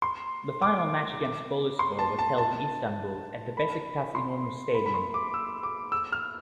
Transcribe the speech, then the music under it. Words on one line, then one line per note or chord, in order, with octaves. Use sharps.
The final match against Boluspor was held in Istanbul at the Besiktas Inonu Stadium.
C6
D6
C6
A5
A5
A5
B5
C6
B5
B5
C6
D6
E6
D6
E6
F6